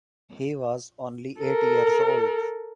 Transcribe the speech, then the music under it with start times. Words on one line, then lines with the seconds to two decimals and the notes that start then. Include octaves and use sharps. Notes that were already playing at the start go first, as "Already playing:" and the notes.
He was only eight years old.
1.41 A4 A#4